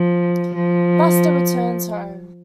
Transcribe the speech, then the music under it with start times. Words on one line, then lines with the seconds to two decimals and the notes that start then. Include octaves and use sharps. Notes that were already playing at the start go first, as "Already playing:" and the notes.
Buster returns home.
Already playing: F3
0.55 F3